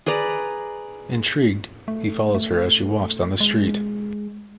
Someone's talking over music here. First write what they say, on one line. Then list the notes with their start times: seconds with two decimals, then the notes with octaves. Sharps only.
Intrigued, he follows her as she walks down the street.
0.06 G#4 B4 D5 A#5
1.88 A3
2.34 A3
3.40 G#3